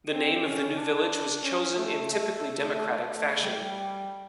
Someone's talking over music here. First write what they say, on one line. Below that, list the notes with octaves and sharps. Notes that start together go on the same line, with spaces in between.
The name of the new village was chosen in typically democratic fashion.
C4
C#4
D4
C#4
A3
A3
A3
G3